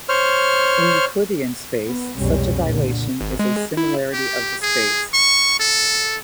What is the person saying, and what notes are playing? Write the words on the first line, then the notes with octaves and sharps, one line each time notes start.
In Euclidean space, such a dilation is a similarity of the space.
C5 C#5 F6
B3
C2 F2 B2 G3 G#3 C#4
A#2 D3
G#1
G#3
E4
G4
G#4
C#6
A4